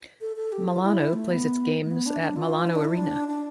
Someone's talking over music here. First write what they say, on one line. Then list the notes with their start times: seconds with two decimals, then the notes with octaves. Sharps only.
Milano plays its games at Milano Arena.
0.21 A4
0.36 A4
0.52 G4
0.68 F4
0.83 E4
1.13 A3
1.29 B3
1.84 A3
1.91 B3
2.06 D4
2.21 D4
2.36 F4
2.67 E4
2.75 D4
2.84 E4
2.97 D4
3.28 D4